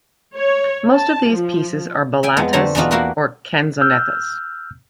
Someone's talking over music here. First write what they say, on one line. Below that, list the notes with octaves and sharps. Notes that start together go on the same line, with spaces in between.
Most of these pieces are ballatas or canzonettas.
C#5
A5
F3
E5 G5 G#5
F2 G#3 B3
D3 A3 G4 C5 A#5
E2 B2 D4 D#4 F4 F#4
A#3 E4 F#4 G4 A#4 B4
E6 F6 G6